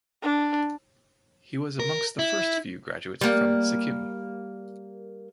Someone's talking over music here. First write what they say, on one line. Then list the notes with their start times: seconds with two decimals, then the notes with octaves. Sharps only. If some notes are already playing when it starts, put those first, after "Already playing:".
He was amongst the first few graduates from Sikkim.
0.22 D4
1.80 A#4
2.19 E4
3.21 G3 A#3